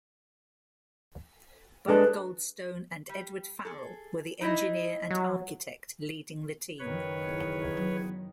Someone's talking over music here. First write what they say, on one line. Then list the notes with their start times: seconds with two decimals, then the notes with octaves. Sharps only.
Bud Goldstone and Edward Farrell were the engineer and architect leading the team.
1.88 G#3 D4 A4 B4
3.09 G3
3.65 G#4 A4
4.41 D#4 E4 D#5
5.11 F#3
6.79 F#1 F#2 D#3 B4 C#5
7.27 E2
7.77 F#3